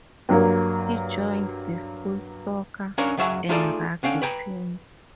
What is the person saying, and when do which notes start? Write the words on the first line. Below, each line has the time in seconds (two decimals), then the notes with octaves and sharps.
He joined the school's soccer and rugby teams.
0.29 G2 F#3 A#3
2.98 C#4 D4 A#4 C#5 F5
3.17 C#2 F#2 F#3 C#5 E5 G#5
3.49 A3 D#4 F4 G#4 A4 D5
4.03 D3 C#4 F5 G5 G#5
4.22 B4 G5 G#5 A#5